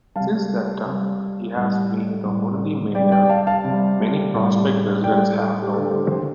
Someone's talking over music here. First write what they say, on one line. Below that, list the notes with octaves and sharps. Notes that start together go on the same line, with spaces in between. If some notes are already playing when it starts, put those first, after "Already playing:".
Since that time, he has been the only mayor many Prospect residents have known.
C3 G3 F5 A5
C3 G3
A2 G3
A2 G3
C3 G3 D5 G5
D5 G5
F5 A5
F5 A5
C3 G3
A2 G3
A2 G3 D5 G5
A4
G4
D3 A3 A4
G4 C5
G4 C5